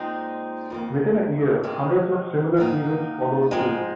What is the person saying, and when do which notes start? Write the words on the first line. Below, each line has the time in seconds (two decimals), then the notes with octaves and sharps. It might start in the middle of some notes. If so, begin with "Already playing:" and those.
Within a year, hundreds of similar events followed suit.
Already playing: A#2 G#3 C4 D#4
0.70 F2 D#3 A#3
1.63 C3 G#3 C4
2.57 G#2 D#3 A#3 D#4
3.51 G#2 F3 G#3 C4